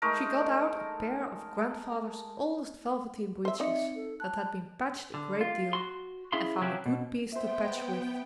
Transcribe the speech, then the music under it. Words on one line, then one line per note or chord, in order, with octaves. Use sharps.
She got out a pair of Grandfather's oldest velveteen breeches that had been patched a great deal, and found a good piece to patch with.
G#3 A3 D#4 A#4
G#3 C5 E5
C4 D#4 D5 E5 C#7
A4
A5 F#6
D3
F4
F#4 C6
C#4 E4 G#4 E5 F5 C6
C3 F3 F#3 C#4 E4 G4
B2
B3 C5 E5 G5